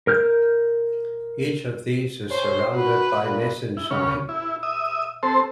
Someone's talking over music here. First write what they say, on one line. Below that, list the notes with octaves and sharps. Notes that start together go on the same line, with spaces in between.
Each of these is surrounded by mesenchyme.
A#4 F6 G6
C5 C#5
F#4 B4
A#2
E4
C#3 C#4
E4
E5 D#6
C4 A4 C5